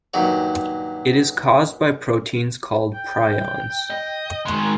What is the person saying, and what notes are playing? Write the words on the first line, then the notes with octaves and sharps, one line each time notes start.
It is caused by proteins called prions.
G2 A#2 D#3 F#3 F#4
G5
D#5
D#3 G#3